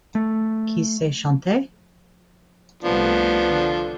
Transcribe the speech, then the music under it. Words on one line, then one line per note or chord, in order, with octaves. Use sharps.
Qui sait chanter?
A3
C2 F3 A3 B3 D4
D3